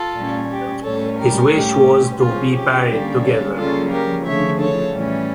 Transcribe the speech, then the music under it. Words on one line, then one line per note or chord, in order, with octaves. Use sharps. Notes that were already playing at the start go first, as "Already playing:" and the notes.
His wish was to be buried together.
Already playing: F4 A4
A#2 G3 C#4
G4
A2 G3 C#4 A4 C#5
G4 A#4
A2 G3 C#4 G4
C#3 F3 C#4 F4
G4
D3 G3 A#3 C#4
A4 C#5
C#3 G3 A#3 C#4 F4 A4
G4 A#4
C#3 F3 A3 C#5 E5
A4 C#5
A2 E3 G3 C#4